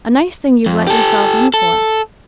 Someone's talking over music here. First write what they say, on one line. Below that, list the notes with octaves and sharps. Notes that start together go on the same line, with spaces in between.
A nice thing you've let yourselves in for!'
F2
G4 A4
A4